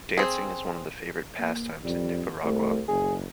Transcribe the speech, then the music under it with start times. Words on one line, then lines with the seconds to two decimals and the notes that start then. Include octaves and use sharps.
Dancing is one of the favorite pastimes in Nicaragua.
0.17 C4 G#4
1.39 A#3
1.85 F2 G3
2.44 C2 A3
2.88 F#1 G#4